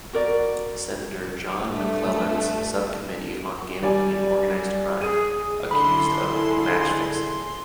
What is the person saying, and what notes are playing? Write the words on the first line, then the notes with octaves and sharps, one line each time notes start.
Senator John McClellan's subcommittee on Gambling and Organized Crime, accused of match fixing.
F#4 A#4 D5
G2 A3
G3 D5 G#5
G#4 D#7
D3 E4 G#4 A4 B5 C6